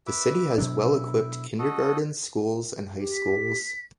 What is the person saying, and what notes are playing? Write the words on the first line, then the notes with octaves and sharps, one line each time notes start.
The city has well-equipped kindergartens, schools and high schools.
B4 E5 D6
B2 F#3 D4 E4
F#4 A4 D#5
G4
B6